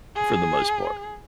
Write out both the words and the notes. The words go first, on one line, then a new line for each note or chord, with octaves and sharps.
for the most part.
G#4